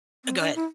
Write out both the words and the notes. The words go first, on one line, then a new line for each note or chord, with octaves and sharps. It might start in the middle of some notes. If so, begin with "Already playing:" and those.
uh, go ahead.
C4
D4
E4